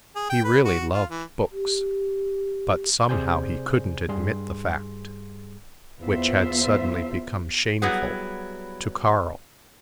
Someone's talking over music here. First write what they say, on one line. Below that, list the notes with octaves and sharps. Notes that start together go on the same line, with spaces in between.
He really loved books, but somehow he couldn't admit the fact, which had suddenly become shameful, to Carl.
G#4
G5
B4
F#4
F4
E3
G4
C3 G#4 C5 D5 G#5 G6
G2 G3 G#4 C6
E2 B3 F4 C5 E5
F#3 G3 B3 E4 G#4 F#5